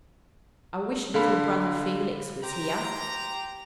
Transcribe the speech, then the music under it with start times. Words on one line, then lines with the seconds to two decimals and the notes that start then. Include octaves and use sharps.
I wish little brother Felix was here!'
1.14 D3 F5 B5
2.42 G4 C5 A#5